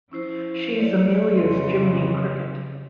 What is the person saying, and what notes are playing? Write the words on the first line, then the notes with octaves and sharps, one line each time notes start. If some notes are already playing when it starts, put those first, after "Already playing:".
She's Amelia's Jiminy Cricket.
F3 C#4 E4 C5
C#5 D5
F2 C#3 C#5 D#5 C6